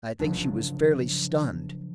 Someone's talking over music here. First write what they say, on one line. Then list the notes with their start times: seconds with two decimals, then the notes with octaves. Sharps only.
I think she was fairly stunned.
0.20 C#3 F3 F#3 D4